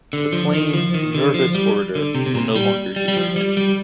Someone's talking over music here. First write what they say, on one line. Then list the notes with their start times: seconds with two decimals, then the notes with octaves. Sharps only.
The plain nervous orator will no longer gain attention.
0.13 D3
0.33 F3
0.54 D#3
0.74 F3
0.94 D#3
1.15 D3
1.34 F3
1.55 G3
1.95 D3
2.15 C3
2.26 C3
2.35 A#2
2.56 G3
2.96 G3
3.08 G3
3.17 F3
3.36 G3
3.57 G3